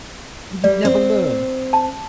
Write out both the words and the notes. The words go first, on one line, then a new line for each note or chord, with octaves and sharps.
Will you never learn?
G3 D5
C4
A5